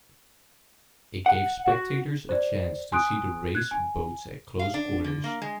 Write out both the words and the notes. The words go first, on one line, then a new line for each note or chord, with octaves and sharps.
It gave spectators a chance to see the race boats at close quarters.
F#5
F#4
C5 D5
G#5 C6 D#6 F#6 D7
F#6 G#6
G#5
F5
D4
D3
A#3
G#3